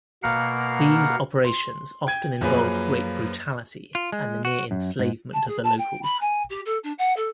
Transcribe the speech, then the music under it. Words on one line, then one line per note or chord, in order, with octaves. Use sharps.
These operations often involved great brutality and the near enslavement of the locals.
B2 A#3 A#4 F5 F#5
C6
G5 G#6 D#7
F#2 F3 F#3 A#3 G#4 B4
F4
G#3
F#4
F#2
G#2
A5
G#4
A5
G5
B5
G#5
G4
A4
D4
F#5
A4